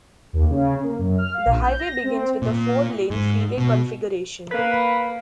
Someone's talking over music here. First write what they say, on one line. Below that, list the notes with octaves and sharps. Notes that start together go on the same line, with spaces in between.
The highway begins with a four-lane freeway configuration.
D#2
C#3
A#3
F#2
F6
F5
A#1
G6
A#6
C4
A#2
G#2
B2
A#3 B4